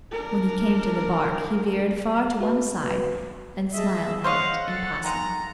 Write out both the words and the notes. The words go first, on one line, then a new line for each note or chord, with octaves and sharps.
When he came to the bark, he veered far to one side and smiled at it in passing.
D4 A#4
F#4 B4
G#4 D#5 E5 A5
C5 C#5 D#5 F5 F#5
A4
D#3 G#3 A#3 A#5